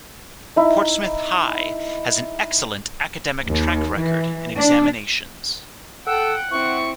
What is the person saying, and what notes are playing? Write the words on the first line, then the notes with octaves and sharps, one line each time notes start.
Portsmouth High has an excellent academic track record in examinations.
D#4 E4
D#2
E3
D4
A4 F#5 G5 E6
C4 E4 C#6